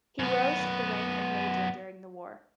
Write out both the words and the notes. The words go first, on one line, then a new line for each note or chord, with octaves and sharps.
He rose to the rank of major during the war.
F#2 B3